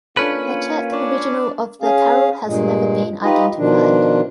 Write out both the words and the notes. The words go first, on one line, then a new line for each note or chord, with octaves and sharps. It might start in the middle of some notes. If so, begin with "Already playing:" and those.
The Czech original of the carol has never been identified.
A#3 C#4 D4 F4 A4 B4
D4 C#5
C#4 G#4 F5
G2 A#2 G#3
D#4 F4 G4 B4 D#5
B2 D#3 F3 D4